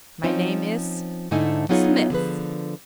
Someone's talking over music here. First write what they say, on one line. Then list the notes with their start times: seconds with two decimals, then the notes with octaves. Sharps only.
"My name is--Smith."
0.23 F3 C4 C#4 D#4 F4
1.31 G#2 D3 A3 D#4 E4 G#5
1.69 F#3 B3 D#4 F4 G#4 C#5
2.10 D3 F3 G#4 B4